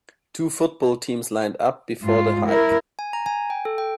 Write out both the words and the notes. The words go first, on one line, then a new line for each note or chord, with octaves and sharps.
Two football teams lined up before the hike.
G#2 F4
E4 A#4
G#5
A#5
G#5
G5
A4
G5